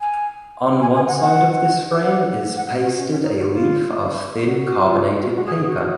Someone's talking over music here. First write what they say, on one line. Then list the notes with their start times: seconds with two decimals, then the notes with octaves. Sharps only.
On one side of this frame is pasted a leaf of thin carbonated paper.
0.01 G#5
0.81 G#5
0.95 G#5
1.08 F#5
1.22 F#5
2.03 F#5
2.56 F#5
2.70 D#5
2.83 F#4
2.97 C#4
3.11 C#4
3.23 D#4
3.37 F#4
3.51 F4
4.45 F#4
4.65 F#4
4.85 F4
5.21 F#4
5.26 F4
5.36 F#4
5.46 G#4
5.56 G#4
5.66 F#4